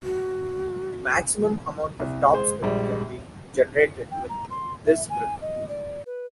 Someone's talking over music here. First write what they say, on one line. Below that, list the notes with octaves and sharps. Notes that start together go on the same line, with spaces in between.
The maximum amount of topspin can be generated with this grip.
F#4
C2
G#3 C5
A#1 G3 G#3
G5
A#5
C6
E5
G#5
D#5
D5
B4